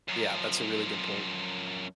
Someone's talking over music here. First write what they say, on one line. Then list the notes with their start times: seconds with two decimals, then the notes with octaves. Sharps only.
yeah, that's a really good point.
0.08 F#2 F3